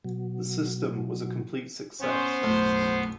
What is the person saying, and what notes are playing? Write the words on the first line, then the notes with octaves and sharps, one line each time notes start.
The system was a complete success.
B2 F#3
B3 C#4 C5
B1 F#2 A2